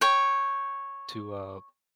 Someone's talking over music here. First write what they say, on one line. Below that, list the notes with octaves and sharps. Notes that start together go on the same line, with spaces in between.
to, uh,
C#5 G5